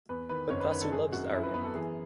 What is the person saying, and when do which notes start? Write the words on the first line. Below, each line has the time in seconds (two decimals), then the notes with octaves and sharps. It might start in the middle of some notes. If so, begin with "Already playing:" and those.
But Vasu loves Arjun.
0.09 E2 B4
0.29 D#3 B4
0.50 F#1 C#5
0.60 B4
0.71 D#3 B4
0.81 A4
0.92 F#2 G#4
1.12 F#2 F#4
1.33 F#2 E4
1.43 B4
1.54 B3 B4
1.64 A4
1.74 E3 G#4